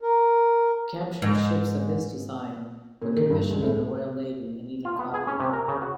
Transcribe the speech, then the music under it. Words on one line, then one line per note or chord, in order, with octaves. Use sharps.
Captured ships of his design were commissioned in the Royal Navy and even copied.
A#4
G#2
A#2
D#3
G2
C#2
A2
F4
B3
G#4
C#4
C3
A#4
C#3
F#4